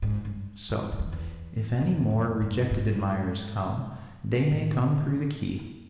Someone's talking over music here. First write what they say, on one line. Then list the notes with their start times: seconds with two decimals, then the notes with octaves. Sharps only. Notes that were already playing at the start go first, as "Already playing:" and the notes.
So, if any more rejected admirers come, they may come through the keyhole.
0.02 G#2
0.25 G2
0.69 F2
0.92 F2
0.99 E2
1.13 E2
1.81 F2
2.11 F2
2.42 G2
2.71 G#2
4.51 A2